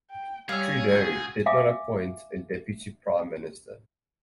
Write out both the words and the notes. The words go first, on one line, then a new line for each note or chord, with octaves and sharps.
Trudeau did not appoint a deputy prime minister.
G5
G3 G#4 C#5 F5 E6
C#2 F#4 G6
E5 F5 G#5 D6